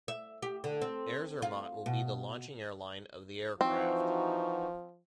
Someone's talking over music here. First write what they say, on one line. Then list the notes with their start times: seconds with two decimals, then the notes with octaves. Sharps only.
Air Zermatt will be the launching airline of the aircraft.
0.08 E5
0.42 G4
0.64 D3
0.82 C4
1.42 F4
1.86 B2
3.61 E3 F3 C4 D#4 F#4